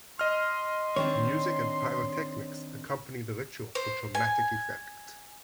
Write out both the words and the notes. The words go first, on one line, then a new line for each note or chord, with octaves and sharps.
Music and pyrotechnics accompany the ritual for dramatic effect.
D#5 C6 F6
D#3 C4 D4 C#5
C5
G#5